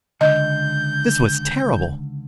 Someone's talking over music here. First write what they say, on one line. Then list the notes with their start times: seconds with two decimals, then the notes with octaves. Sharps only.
This was terrible!
0.21 C#2 F#2 D3 D#5 G6